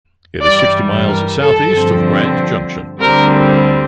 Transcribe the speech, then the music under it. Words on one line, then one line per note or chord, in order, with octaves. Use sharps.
It is sixty miles southeast of Grand Junction.
G2 E3 G3 D5
A#4
A4
G2 D3 F3 C4
D2 D3 G3 C4 A#4